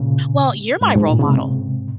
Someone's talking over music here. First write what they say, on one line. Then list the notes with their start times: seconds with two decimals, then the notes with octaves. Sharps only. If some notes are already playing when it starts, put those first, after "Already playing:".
"Well, you're my role model"
Already playing: A#2 C#3
0.81 G#2
0.95 G#2
1.10 A#2
1.20 C#3
1.25 G#2 C3